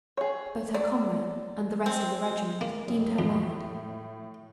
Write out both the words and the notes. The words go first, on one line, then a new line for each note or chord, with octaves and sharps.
Both her comrade and the rest of the regiment deemed her mad.
G#4 C#5
F#3 D5
C4
A#3
F1 F#2
F2 A2